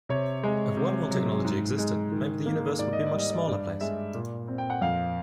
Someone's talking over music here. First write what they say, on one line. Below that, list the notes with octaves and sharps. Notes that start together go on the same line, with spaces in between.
If wormhole technology existed maybe the universe would be a much smaller place.
C3 C#5
G#3
C3
F#3
G#2
G#3
D#3
A#3
G#2 D5
D#5
D5
G3
D#5
D5
G2 D5
G#3 E5
A#2
C4
G5
F#5
F2 F5